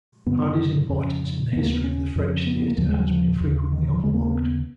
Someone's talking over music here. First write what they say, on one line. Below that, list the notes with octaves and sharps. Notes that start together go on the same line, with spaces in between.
Hardy's importance in the history of the French theatre has been frequently overlooked.
F#2 C#3 B3
F2 C#3 C#4
D#2 C#3 B3
A#3
B3
C#4
F2 C#3
B3
B3
A#3
D#2 C#3 F3
G#3
F#3
F3
D#2 C#3
D#3
D#3
F3
D#2 C#3 G#3
A#3
A#3
B3